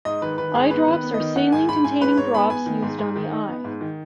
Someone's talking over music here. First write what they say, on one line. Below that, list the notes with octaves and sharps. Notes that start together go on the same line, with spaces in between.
Eye drops are saline-containing drops used on the eye.
G#2 D#5
D#3 B4
D#3 B4
G#2 G#4
B3 B4
D#3
B4
B3
D#5
D#3
D#3 F#5
G#2 G#5
G#2 B5
G#2 G#5
G#2 B4
G#2 C#5
B3 B5
B3 G#5
D#3
G#2
G#2
D#3
D#4
B3
G#2
D#3